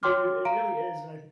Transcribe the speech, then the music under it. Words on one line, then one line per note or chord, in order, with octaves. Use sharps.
Dude, it really is, and I
F#4 C#5 G5 C6 D6 F6
F5 A#5 D7